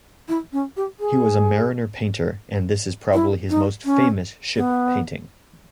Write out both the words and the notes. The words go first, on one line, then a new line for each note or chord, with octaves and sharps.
He was a mariner painter, and this is probably his most famous ship painting.
E4
C#4
G4
G#4
E4
D#4
C#4
B3